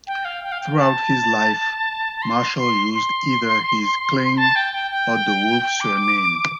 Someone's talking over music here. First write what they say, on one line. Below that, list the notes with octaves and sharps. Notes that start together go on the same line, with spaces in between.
Throughout his life, Marshall used either his Kling or DeWolfe surname.
G5
F5
G5
F5
G5
A5
A5
C6
C6
C6
A5
G5
G5
G5
D6